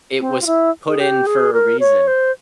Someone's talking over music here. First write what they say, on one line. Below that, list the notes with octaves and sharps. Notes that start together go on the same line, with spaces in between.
it was put in for a reason.
C4
F4
E4
G#4
G4
G#4
A#4
C#5
C5